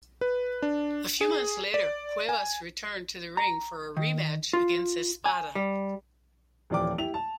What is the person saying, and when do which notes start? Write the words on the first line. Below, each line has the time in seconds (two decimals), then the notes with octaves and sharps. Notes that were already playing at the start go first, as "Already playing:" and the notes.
A few months later, Cuevas returned to the ring for a rematch against Espada.
0.21 B4
0.62 D4
1.21 G#4
1.74 D5
2.29 G#5
3.37 A#5
3.97 D#3
4.53 F4
5.26 G#5
5.55 G3
6.70 D#1 E3 F3 D5 G5 D6
6.98 E4 G4 F7
7.14 A5